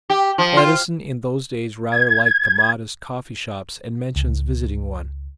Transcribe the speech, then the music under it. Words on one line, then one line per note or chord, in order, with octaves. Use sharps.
Edison in those days rather liked the modest coffee-shops, and mentions visiting one.
G4
F3
F4
G#6
C#2